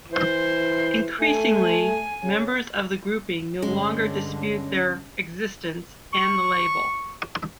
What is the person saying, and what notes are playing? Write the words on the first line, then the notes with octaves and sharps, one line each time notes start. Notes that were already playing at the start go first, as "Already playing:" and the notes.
Increasingly members of the grouping no longer dispute their existence and the label.
E3 C5
A3 G#5
C#3
G2 D3 G#3 C#4
C#6